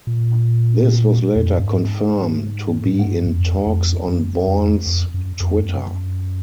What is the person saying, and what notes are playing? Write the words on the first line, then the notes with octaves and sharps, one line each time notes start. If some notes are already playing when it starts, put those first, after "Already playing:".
This was later confirmed to be in talks on Bourne's Twitter.
A#2
E2
F2
F#2
G2
G#2
A2
G#2
G2
F#2
F2
F2
F#2
F2
F2
F#2
F2
G2
F#2